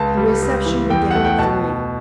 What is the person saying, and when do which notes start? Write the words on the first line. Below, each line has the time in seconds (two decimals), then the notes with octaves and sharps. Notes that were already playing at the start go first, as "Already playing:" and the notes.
The reception began at three.
Already playing: C#2 A5
0.17 G3
0.42 C#2
0.66 E3
0.90 E2 G5
1.11 A3 F#5
1.24 G5
1.38 B2 A5